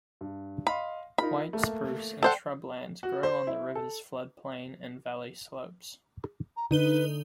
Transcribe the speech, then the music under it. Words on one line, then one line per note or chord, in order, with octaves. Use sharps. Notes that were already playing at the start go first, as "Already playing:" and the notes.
White spruce and shrublands grow on the river's floodplain and valley slopes.
G2
D#5 F5 B5 C6
D#4 F4 A#4 B5
A3 A#3
A4 C5 D5 F#5 G5
F#4
C5
E4
A4
A#5
D3 D#4 B4 D#7 G7